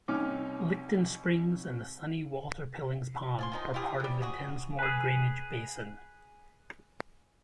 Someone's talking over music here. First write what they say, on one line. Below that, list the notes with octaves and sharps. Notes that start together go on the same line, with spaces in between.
Licton Springs and the Sunny Walter-Pillings Pond are part of the Densmore Drainage Basin.
C2 C#4 D#4 D6 F6
F3 G#5 C6
D#3 F3 D#4
E4 F4 G4 G#4
C3 G3
F#4 G#4
G#4 B4